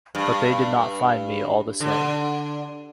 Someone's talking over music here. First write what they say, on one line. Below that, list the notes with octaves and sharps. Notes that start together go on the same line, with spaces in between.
But they did not find me all the same.
G2
D3